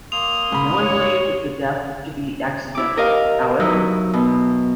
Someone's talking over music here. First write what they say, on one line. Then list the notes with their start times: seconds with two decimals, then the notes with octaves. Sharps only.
No one believed the death to be accidental, however.
0.12 A#3 C6 D#6 F7
0.52 G#2 B5
0.83 C#5
2.75 E4 D6
2.97 G4 A#4 D#5 F5
3.60 F#3 D#4 E4
4.14 B2